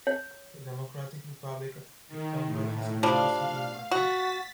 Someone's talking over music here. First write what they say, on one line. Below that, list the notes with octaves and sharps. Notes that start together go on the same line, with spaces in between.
The Democratic Republic of the Congo has an embassy in Madrid.
C#5
D#3
A2
F3 G3 D4 F5
F#4 A6 B6